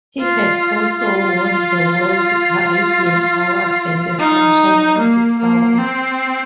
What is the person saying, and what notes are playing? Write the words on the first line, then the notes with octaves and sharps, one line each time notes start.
He has also won the World Caribbean Awards and The Sunshine Music Awards.
F4
F4
D#4
A#3
A#3
C4